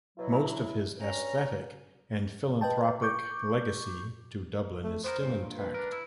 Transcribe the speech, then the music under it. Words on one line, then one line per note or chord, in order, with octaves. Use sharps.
Most of his aesthetic and philanthropic legacy to Dublin is still intact.
B2 F#3 E4
G2 C#4 A#5
B4 D#5 G5 A5
C#6 D6 G6
A3
B3 G4 A#4 C5
G2 A#2
B4
D4 A#4
E4